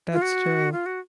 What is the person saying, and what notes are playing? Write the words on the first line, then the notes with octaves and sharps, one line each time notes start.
That's true.
F4
F#4
F4
F#4